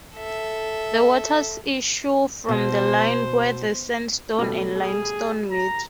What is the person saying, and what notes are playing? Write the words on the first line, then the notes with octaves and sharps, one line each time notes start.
The waters issue from the line where the sandstone and limestone meet.
A4 E5
B2 C5
B2 G3 A3
G#4
A#5